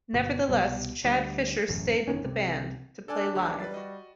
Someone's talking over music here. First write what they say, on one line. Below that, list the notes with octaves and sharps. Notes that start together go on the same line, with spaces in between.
Nevertheless, Chad Fischer stayed with the band to play live.
G1 B2
C2 B2 E3 G3
D2 G3
E1 A1 F#2
F#1 E2 D#3 C#4
C2 C3
D4 A4 D5 G#5
D2 D3
E3 D4
G3 B4 A6
F#4 D#5